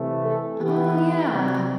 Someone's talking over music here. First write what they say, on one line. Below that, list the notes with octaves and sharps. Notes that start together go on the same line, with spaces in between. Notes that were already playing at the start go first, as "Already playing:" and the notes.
Oh, yeah.
Already playing: C3 E3 A3
A4
E3 B3 G4
C3 G3 C4